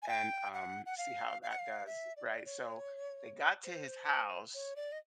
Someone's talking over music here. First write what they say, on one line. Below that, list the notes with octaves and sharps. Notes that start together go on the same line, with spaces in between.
and, um, see how that does, right, so they got to his house
G#5
G5
F#5
F#5
F5
F5
F#5
F5
E5
D5
C#5
C5
C#5
D5
D#5